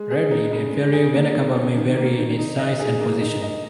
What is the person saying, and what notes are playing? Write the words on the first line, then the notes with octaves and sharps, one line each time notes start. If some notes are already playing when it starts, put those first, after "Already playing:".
Rarely, the inferior vena cava may vary in its size and position.
Already playing: G#3
G#4
D#4
C#3
G#3
G#4
A#3
D#3
C#4
D#3
A#3
D#3
D#4
D#5
G#4
A#3
D#4
D#5